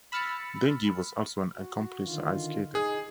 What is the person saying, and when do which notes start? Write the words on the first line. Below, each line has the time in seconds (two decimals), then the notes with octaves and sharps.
Dungey was also an accomplished ice skater.
0.12 B5 E6 F6 A6 C#7
1.55 F#4
2.04 D3 D#3 F4
2.75 D#4 G#4